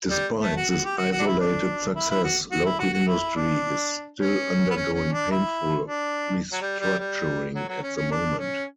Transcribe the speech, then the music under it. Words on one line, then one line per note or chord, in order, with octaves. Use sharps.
Despite this isolated success, local industry is still undergoing painful restructuring at the moment.
G3
A3
F#4
F#4
G4
F#4
F#4
D4
E4
D4
E4
E4
F#4
F#4
E4
F#4
F#4
E4
D4
C#4
B3
C#4
C#4
D4
E4
D4
F#3
G3
G3
G3
F#3
F#3
C#4
C#4
D4
C#4